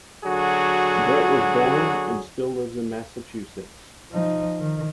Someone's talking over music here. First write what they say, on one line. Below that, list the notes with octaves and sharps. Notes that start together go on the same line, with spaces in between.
Brett was born and still lives in Massachusetts.
D3 F#3 F#4 G#4
F3 D#4
D#3